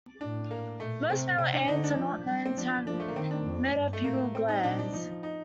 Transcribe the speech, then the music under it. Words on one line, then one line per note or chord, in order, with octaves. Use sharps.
Most male ants are not known to have metapleural glands.
A2 D4
A#3
A#2 A3
C3 C4
C3 C4
D4
D3 D#4
D4
F3
G3
C4
F3 D4
F3 D4
A3
A#3
D#3 C4
D4
F2
G2
A3
A2 A#3
C4
D#4
A#2 D4
D4
F3 D#4
D#4